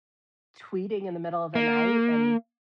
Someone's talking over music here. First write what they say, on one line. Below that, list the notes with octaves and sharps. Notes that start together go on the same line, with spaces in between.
tweeting in the middle of the night and
A#3